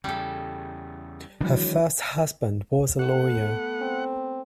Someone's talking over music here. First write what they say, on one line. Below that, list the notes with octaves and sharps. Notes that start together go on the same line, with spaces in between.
Her first husband was a lawyer.
E2 C#3 G3 A4
D#3 E3 F#3 G#3 D4
A3 B3 F#5
C4